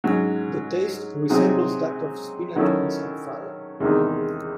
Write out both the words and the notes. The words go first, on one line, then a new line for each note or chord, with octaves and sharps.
The taste resembles that of spinach and samphire.
G#2 F#3 C#4
C3 F#3 C4 D#4 G#4
D#3 F#3 C#4 E4 A4
E2 C3 D#3 G#3 D#4